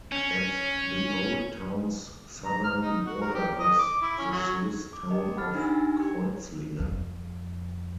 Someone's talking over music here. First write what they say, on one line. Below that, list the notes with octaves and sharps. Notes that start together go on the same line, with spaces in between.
At the old town's southern border lies the Swiss town of Kreuzlingen.
C#4
A#5
F6
D#4
F#4
A#4
G4
D#5
D6
E4
C#4
F#3
D6
G4 D#5
F#5 B5 F6 A6
D4 D#4 G4 G#5 E6 A#6
G4
F2